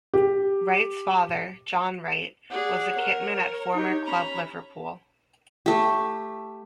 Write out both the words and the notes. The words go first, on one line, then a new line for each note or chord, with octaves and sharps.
Wright's father, John Wright, was a kitman at former club Liverpool.
G4
G#4 D5 F#5
A#4 C#5
D#4 G4 C#5
C#4 A#5 B5
A3 G4